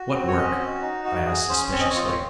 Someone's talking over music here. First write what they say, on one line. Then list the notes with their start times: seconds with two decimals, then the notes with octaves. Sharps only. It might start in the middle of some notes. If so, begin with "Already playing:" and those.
"What work?" I asked suspiciously.
Already playing: F#4
0.13 C4
0.28 C#5
0.37 C#4 D#5
0.60 F#4
0.82 D#4
1.05 F#4
1.26 G#4
1.49 C#4 C5
1.72 C4 C#5
1.81 D#5
1.90 C#5
1.95 F4 D#5
2.07 C#5